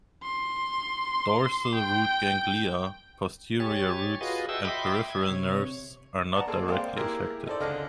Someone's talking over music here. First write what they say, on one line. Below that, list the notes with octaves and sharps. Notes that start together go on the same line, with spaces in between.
Dorsal root ganglia, posterior roots and peripheral nerves are not directly affected.
C6
G5
G4 C#5 G#5 A6
F4 F#4 G#4 B4 D#5
D#5 E5 F#5 G5 A5 E6
D#5 E5 G5 B5 C6 D6
G#6
C3 C#5
D5 F#5 A5 A#5
A#3 C4 G#4 A4
G#3 A#3 C5 D5 F5 G5
A#3 E4 G4 G#4 A#4
D#4 A4 C5 D5
C#2 D3 D#5 F6